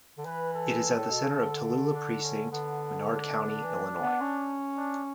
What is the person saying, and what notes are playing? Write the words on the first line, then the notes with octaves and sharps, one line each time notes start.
It is at the center of Tallula Precinct, Menard County, Illinois.
D3
E3 B4
A4
A2
B2
C#3
D3
D4
C#4
D3 B3
D4
E3
B3
C#4
D4